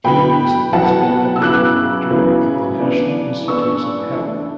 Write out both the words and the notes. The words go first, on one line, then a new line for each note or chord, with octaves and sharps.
He is the principal deputy director of the National Institutes of Health.
B2 F#3 B3 E4 G5 B5
B2 F#3 B3 E4 F#5 A5
E6
C#3 F#3 B3 E4 D6 F#6
C#3 F#3 B3 E4
E3 B3 D4
E3 B3 D4 C#6 E6
E3 A3 D4